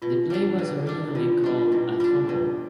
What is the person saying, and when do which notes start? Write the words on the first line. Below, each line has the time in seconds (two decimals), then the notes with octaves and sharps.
The play was originally called a fumble.
0.02 B2 F4
0.30 G3 D4
0.59 B2
0.87 G3 D4
1.09 E4
1.15 B2 F4
1.29 F4
1.44 G3 D4 G4
1.58 F4
1.72 B2 E4
2.00 G3 D4 F4
2.28 B2 G4